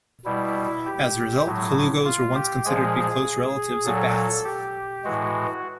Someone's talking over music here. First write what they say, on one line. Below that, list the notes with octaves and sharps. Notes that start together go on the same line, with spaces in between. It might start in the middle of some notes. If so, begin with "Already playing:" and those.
As a result, colugos were once considered to be close relatives of bats.
B2 G3 E4
G4
A2 F#3
F4
G4
A#2 F3 G#3 G#4
A#2 F#3 A4
G4
A2 E3 G#3 F#4